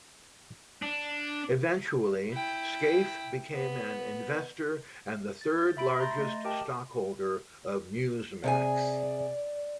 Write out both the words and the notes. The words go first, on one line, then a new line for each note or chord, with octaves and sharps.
Eventually, Scaife became an investor and the third-largest stockholder of NewsMax.
D4
E4 G5
B3
A6
G6 A6
E5 B5 D7
A#5 C6 G6 A6 A#6
A3 D#5
G4 A#4 D#5 G5 A5
C3 G#4 D5 G#5